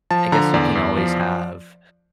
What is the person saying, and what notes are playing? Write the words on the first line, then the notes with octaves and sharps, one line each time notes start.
I guess you can always have,
F3 A5
D3 A#5
E2 D5
E2
F3